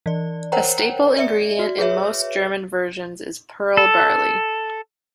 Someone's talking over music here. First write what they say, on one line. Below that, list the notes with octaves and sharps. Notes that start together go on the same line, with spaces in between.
A staple ingredient in most German versions is pearl barley.
E3 D5
A#4 C5 C#5 F#5 G5 A#5
D5 E5 C#7
F#4
G#4 B4 C#5 E5
A4